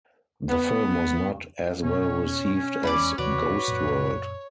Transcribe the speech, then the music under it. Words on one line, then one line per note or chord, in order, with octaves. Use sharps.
The film was not as well received as "Ghost World".
B3
B2 A#3 B3 C#4 C#5
E2 E3 G#3 D5 F#5 B5
D#2 C3 E3 F#4 B4 C#5 D5
F#2 A#2